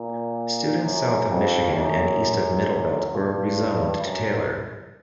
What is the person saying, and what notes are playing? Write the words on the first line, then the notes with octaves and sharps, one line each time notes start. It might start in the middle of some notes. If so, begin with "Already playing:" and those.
Students south of Michigan and east of Middlebelt were rezoned to Taylor.
Already playing: A#2
F#2
F2
F#2
G2
F#2